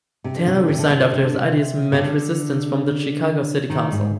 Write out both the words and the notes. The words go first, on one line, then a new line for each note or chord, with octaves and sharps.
Taylor resigned after his ideas met resistance from the Chicago City Council.
C3
D3
C3
D3
C3
D3
C3
D3
C3
D3
C3
C3
D3
D#3
G#2